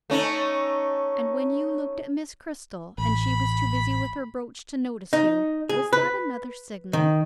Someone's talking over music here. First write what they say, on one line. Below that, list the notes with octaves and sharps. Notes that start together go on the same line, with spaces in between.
"And when you looked at Miss Cristel, and she was too busy with her brooch to notice you, was that another signal?"
A3 C#4 D#4
A1 B5 B6
D#4
G#4
B4
D#3